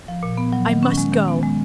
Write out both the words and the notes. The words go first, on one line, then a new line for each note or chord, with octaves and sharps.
I must go ...
F3
A#2
B3
F#3
D#3
C#4
G#3
D#3
B3
G#3